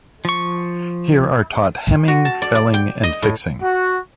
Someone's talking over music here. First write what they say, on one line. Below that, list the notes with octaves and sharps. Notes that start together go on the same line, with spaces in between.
Here are taught hemming, felling, and fixing.
F3 C#6
F#4
A5
D5
D5
G5
D#5
A2
F#4